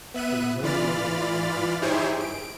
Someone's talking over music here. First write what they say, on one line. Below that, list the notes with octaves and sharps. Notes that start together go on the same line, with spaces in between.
It is unknown what really happened that day.
B3 E5 F#6 D#7
E3 F4 D5 B5 F6 A6
D#4 E4 G4 G#4 C5 C#5
D7